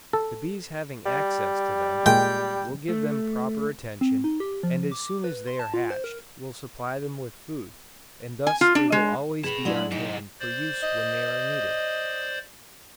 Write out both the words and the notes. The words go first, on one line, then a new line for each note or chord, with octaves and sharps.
The bees having access to them, will give them proper attention, and as soon as they are hatched, will supply them with food, and thus they will always be on hand for use when they are needed.
A4
G3
A#2 G#3 G5
A3
C4
D#4
G4
F3
D6
B4
C6
A5
F4
C5
A#4
G#5
F4
D4
G#3
G#4 B4 A5 B5
F#3 G#3 D4 E4
G#2 C3 D#4
C5 D5
D#5